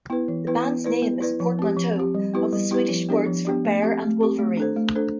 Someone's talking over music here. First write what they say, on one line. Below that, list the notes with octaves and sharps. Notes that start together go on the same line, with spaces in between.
The band's name is a portmanteau of the Swedish words for bear and wolverine.
B3 E4 B4
E3
B3 E4 B4
B3
E4 B4 D5
B3
E4 B4 D5
F3
C4 G4
F3
C4 G4
G3
B3 E4 G4 B4
G3
B3 E4 G4 B4
F3
B3 D4 G4 D5
F3
B3 D4 G4 D5
A3
C4 G4
A3
C4 G4
A3
D4 A4 C5
A3
D4 A4 C5